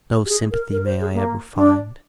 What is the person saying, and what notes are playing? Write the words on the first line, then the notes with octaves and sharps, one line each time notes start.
No sympathy may I ever find.
G4
G#4
A#4
A#4
C5
G#4
A#3
D4